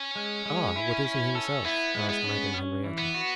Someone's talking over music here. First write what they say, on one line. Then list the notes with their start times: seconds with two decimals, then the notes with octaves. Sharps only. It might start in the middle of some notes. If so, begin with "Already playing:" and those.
"Ah! what is he himself?" asked Madame Henrietta.
Already playing: C#4
0.16 G#3
0.46 G#3
0.76 E4
1.05 E4
1.35 A4
1.65 B3 E4
1.95 G#3
2.09 B3
2.24 C#4
2.54 C#4
2.84 E3
2.99 B3
3.14 F#4